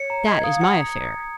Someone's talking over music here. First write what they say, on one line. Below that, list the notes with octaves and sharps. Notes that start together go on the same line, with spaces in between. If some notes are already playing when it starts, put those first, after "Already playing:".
'That is my affair.
Already playing: C#5 C#7
A#5
D#5 G#6
F5 D#6
F#5 C#7